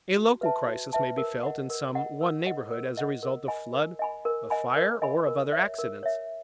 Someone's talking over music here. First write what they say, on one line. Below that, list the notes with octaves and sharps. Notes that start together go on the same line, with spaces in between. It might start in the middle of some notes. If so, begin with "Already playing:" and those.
A local crisis may be felt in some one neighborhood as a result of flood, of fire, or of other accidents.
F#4
B4 E5 A5
F#4
B4 E5 A5
A#4
D#5 F#5
A#4
D#5 F#5
A#4
D#5 F#5
A#4
D#5 F#5
A#4
D#5 G#5 B5
A#4
D#5 G#5 B5
A#4
D#5 G#5 B5
A#4
D#5 G#5 B5
A#4
C#5 E5
A#4
C#5 E5